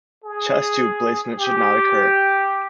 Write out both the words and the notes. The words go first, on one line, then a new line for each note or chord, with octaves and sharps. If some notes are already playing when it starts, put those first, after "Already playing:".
Chest tube placement should not occur.
G#4
G4